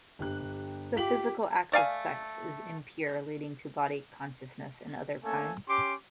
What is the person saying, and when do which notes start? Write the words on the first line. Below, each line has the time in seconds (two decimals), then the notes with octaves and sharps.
The physical act of sex is "impure", leading to body-consciousness and other crimes.
0.19 G1 G4 F#6
0.96 F4 G4 B6 F#7
1.72 A3 D5 F5 G#5
5.24 A3 A#3 C#4 A4 G#5
5.69 C#4 G4 C6 D6